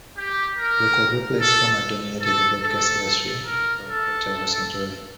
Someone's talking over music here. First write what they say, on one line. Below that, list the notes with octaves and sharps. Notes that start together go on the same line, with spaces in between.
The Quadruplex format dominated the broadcast industry for a quarter of a century.
G4
A#4
A4
A4
A4
A#4
A4